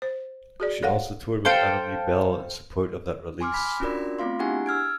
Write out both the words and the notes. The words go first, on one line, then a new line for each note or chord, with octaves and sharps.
She also toured with Anomie Belle in support of that release.
C5
F#4 G#4 D5
A4 C#5 F5 F#5
A4 C5 F5 G5
G#5 C6 D6 F6
B5 B6
C#4 D4 F4 F#4 A#4 D5
A3 B3 C4 F4 F5 C6
D4 E4 G4 G#4 F#5 G#5
E6 F6 G#6 D7